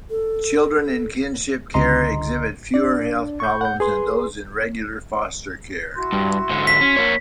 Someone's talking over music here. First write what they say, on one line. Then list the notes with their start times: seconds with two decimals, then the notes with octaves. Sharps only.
Children in kinship care exhibit fewer health problems then those in regular foster care.
0.10 A4
1.74 C#2 D3 D#5 A#5 C6
2.74 D4 D5
3.40 C#6 G6
3.61 F#5 G6
3.80 G#4 B4 C6
5.95 E4 F#4 C6
6.13 G2
6.49 G#2 D3
6.67 B6
6.81 C#4
6.97 A#3 C#5